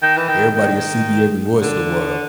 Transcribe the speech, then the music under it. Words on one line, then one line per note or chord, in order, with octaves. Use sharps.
everybody will see me every once in a while.
D#3
E3
D#3
D#3
D3